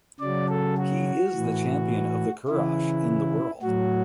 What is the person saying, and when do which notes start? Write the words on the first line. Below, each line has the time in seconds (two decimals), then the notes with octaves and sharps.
He is the champion of the Kurash in the world.
0.20 C#3 F#3 D5
0.49 A4
0.78 F#4
1.34 A2 E3
2.48 C#3 E3 E4
3.62 A2 F#3 F#4